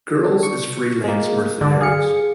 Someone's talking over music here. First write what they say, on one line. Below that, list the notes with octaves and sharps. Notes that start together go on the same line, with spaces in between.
Girls as freelance mercenaries.
D4
C#6
G#3 A#3
D3 D5
G#4 F5 C#7